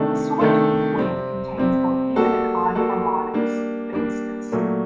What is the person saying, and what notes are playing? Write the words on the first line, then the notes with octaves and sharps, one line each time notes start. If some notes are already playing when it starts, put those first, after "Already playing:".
A sawtooth wave contains both even and odd harmonics, for instance.
Already playing: C3 D#3 A3 D4 A4
C3 D#3 A3 D4 A4
C3 G3 C4
C3 G3 C4
G3 A#3 F#4 A4
G3 A#3 F#4 A4
G3 A#3 D4
G3 A#3 D4
A#2 F#3 A3